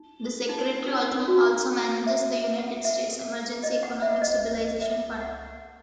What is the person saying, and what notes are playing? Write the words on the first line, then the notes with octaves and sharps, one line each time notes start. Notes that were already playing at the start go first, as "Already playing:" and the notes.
The Secretary also manages the United States Emergency Economic Stabilization fund.
Already playing: D#4
D#4
D#4
F#4
E5
E5
F#5
E5
D#5
F#5
E5
D#5
E5
F#5